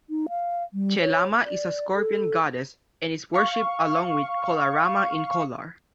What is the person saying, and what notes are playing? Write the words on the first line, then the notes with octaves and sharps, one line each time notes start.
Chelamma is a Scorpion goddess and is worshipped along with Kolaramma in Kolar.
D#4
F5
G3
C#5
D5
A4
F5 C#6